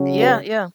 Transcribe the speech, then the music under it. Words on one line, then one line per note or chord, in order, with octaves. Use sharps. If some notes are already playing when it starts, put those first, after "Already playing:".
Yeah, yeah.
Already playing: C#3 F#3 C#4
F#4 B4